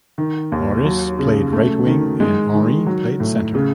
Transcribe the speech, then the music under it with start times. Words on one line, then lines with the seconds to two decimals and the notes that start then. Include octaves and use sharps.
Maurice played right wing and Henri played centre.
0.18 D#3
0.52 D#2
0.85 F#3
1.19 C#3
1.52 A3
1.86 D#3
2.20 G#3
2.54 D#3
2.86 F#3
3.20 A2
3.55 C#3